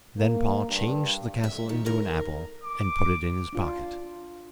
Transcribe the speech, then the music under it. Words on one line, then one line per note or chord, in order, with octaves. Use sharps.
Then Paul changed the castle into an apple, and put it in his pocket.
A#3
G2
E5
D#3
A#4
D6
D4 F4